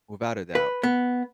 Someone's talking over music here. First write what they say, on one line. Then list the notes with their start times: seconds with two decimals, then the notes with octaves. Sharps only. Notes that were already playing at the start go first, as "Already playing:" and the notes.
Without a doubt.
0.55 B4
0.83 B3